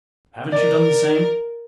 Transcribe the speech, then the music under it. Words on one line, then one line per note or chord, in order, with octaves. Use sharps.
Haven't you done the same?
A#4 D5